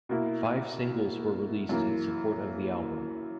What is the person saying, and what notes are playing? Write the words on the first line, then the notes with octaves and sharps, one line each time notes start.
Five singles were released in support of the album.
B2 A#3 E4
F#2 E3 A#3